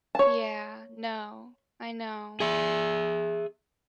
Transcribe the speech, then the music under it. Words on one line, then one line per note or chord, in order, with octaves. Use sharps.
Yeah. No. I know.
C#5 A5
G#4 E5